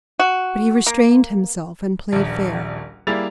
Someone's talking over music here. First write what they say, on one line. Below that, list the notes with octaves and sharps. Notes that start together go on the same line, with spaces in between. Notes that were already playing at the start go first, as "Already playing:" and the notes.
But he restrained himself and played fair.
F#4
A#3
D#1 A#1
G3 A#3 E4 G#4 A6 F7